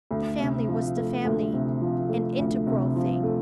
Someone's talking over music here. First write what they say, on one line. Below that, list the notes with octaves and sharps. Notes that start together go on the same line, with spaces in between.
The family was the family, an integral thing.
D2
C3
F3
A3
D2
C3
F3
A3
D2
C3
F3
A3